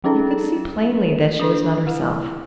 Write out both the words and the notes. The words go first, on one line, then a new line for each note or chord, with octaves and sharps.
He could see plainly that she was not herself.
F#3 C#4 D#4 G#4 A4
D4 A4 B4
E4